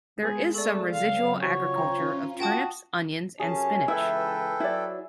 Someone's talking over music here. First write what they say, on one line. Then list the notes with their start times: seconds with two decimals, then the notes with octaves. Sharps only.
There is some residual agriculture of turnips, onions and spinach.
0.22 G#3 B3 G#4 A5
0.54 A3 A4 D5
0.90 C#3 F#3 C4 F5
1.41 C#4 F4 F#4 C#5
1.76 C5 G5 A#5
2.40 F4 F#4 G5 A5 D#6
3.40 F#2 C3 C#4 G#4 A5
3.88 C#2 E3 E4 A4 B4 E5 G5
4.60 F#3 E4 D5